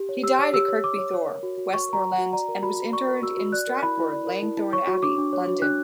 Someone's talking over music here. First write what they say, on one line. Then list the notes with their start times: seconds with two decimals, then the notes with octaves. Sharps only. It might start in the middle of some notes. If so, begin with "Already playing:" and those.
He died at Kirkby Thore, Westmorland and was interred in Stratford Langthorne Abbey, London.
Already playing: G4
0.09 C#5
0.23 G4 E6
0.39 C#5
0.53 G4 E6
0.68 C#5
0.84 G4 D6
0.98 C#5
1.14 C#5
1.28 A#4
1.43 F#4
1.58 F#4
1.73 C#5 C#6
1.88 A#4 A#5
2.03 F#4
2.12 F#5
2.18 F#4
2.33 D5 A#5
2.49 A#4
2.63 F#4 B5
2.77 F#4
2.92 D5 C#6
3.08 A#4
3.22 F#4 E6
3.37 F#4
3.52 D5 F#6
3.67 A#4
3.83 E4 B5
3.98 E4
4.12 D5
4.27 A#4
4.43 E4
4.57 E4
4.73 C#5 C#6
4.87 F#4
5.03 D4 D6
5.18 D4
5.33 C#5
5.47 F#4
5.62 D4 F#6